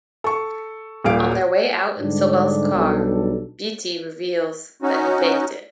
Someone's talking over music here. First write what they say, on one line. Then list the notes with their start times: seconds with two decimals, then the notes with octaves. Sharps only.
On their way out in Sobel's car, Vitti reveals that he faked it.
0.24 A4 C#6
1.04 D#1 A#2 G3 F5 D7
2.00 G#2 D3 G3 D4
2.75 B1 G3 D4 A4
4.82 C#4 D#4 F#4